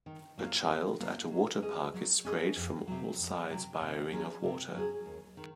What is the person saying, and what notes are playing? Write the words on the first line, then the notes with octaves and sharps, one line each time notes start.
A child at a water park is sprayed from all sides by a ring of water.
D#3
F#3 A#3 F4
D#3
F#3 A#3 F4
F#3
C#4 G#4 D#5
F#3
C#4 G#4 D#5
F2
C3 F#3
F2
C3 F#3
C3
F#3 C#4 G#4
C3
F#3 C#4 G#4
D#2
D#3